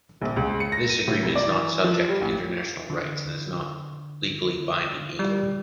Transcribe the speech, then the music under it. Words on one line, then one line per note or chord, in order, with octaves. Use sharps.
This agreement is not subject to international rights and is not legally binding either.
A#1
C#2
C#7
A#6
D#7
A2
C2
D5
E3
F3
G3
A1
D3
G3